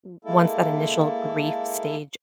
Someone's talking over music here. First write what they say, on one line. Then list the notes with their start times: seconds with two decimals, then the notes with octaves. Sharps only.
O once that initial grief stage
0.25 G#3 A#3 E4 A4